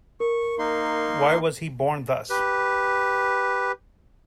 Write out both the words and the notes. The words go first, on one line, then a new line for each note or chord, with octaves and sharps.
Why was he born thus?
A#4 C#6
A#3 D#4 C6
G4 B4